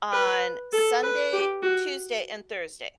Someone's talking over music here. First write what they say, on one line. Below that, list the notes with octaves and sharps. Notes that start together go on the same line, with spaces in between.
on Sunday, Tuesday, and Thursday,
B4
A4
B4
G4
F#4